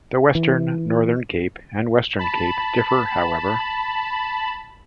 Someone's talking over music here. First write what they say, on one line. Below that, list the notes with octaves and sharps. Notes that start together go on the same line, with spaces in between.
The western Northern Cape and Western Cape differ however.
E3
A5 B5